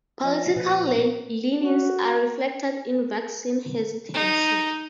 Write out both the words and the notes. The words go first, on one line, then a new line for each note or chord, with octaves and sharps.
Political leanings are reflected in vaccine hesitancy.
F3 D#5
A#2 B4
F#4
D#4